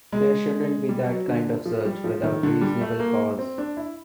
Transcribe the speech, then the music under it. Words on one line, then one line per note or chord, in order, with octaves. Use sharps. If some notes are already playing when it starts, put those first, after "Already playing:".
There shouldn't be that kind of search without reasonable cause.
G#3
G3
F#3
D3
F3
G3
F3
D#3
D3
G3
A3
A#3
C4
D4
E4